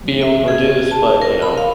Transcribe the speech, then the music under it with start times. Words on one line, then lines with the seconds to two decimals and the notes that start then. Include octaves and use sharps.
be able to produce, but, you know,
0.21 E5
0.48 G#4
0.91 A5
1.22 A#4
1.42 B5
1.58 F5